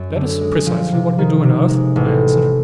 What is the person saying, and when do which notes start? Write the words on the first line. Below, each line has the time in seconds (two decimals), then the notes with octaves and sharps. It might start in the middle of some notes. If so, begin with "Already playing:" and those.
"That is precisely what we do on Earth," I answered.
Already playing: F#2
0.16 D3
0.41 G#3
0.67 F3
0.93 C3
1.19 D#3
1.43 C3
1.69 G#3
1.96 A1